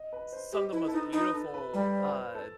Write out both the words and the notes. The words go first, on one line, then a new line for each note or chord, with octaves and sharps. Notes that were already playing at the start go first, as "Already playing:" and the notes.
some of the most beautiful, uh
Already playing: D#5
B4
C5
G4 D#5
E4 B4
E4 A4
D#4 B4
D#4 B4
A4
B4
G3 B4
C5
B4
A4